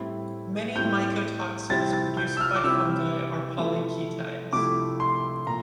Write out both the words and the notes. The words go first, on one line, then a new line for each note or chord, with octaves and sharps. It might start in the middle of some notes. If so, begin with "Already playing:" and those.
Many mycotoxins produced by fungi are polyketides.
Already playing: A2 G3 C4 E4
A2 G3 C4 E4 G6
C3 G3 C4 E4 A6
A6
G6
E6
F6
D6
C3 G3 C4 E4 E6
C3 F3 A3 E4
C3 F3 A3 E4 D6
C6
A#2 A#5